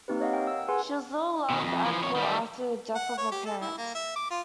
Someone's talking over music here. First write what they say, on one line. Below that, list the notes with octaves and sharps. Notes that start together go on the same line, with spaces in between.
She was little loved at court after the death of her parents.
A#3 C4 D#4 G4 B4
C#5 D#5 F5 F#5
A#4 G5
E6
G#4 B4 F#5 G#5 C6
B2 D#3
F2
E3 F3
F2 C#5
D#3 G3
F#5
C#5
G4
A4
E4
A#3
E5
D6
F4